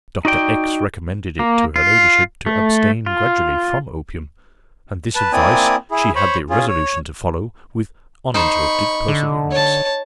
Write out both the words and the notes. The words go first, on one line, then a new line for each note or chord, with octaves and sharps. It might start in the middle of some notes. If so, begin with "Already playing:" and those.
Dr. X---- recommended it to her ladyship to abstain gradually from opium, and this advice she had the resolution to follow with uninterrupted perseverance.
D#4 F#4 D5 G5
A#3
F4
A3
F4
B4 A5
A#3 C4 E4 D5 G#5 D#6
E4 G#4
C5 C#5 B5 C#6
C#4 F4 G#4
C#5
D#4 C5 B5 C#6
D3
C#5 A5